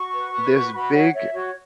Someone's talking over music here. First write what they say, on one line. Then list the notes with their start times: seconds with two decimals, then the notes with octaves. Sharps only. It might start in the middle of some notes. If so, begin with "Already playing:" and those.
this big
Already playing: F#4 C#6
0.13 B4
0.34 B4
0.52 F#4
0.73 F#4 B5
0.93 C#5 F#5
1.13 C#5 E5
1.33 F#4 C#5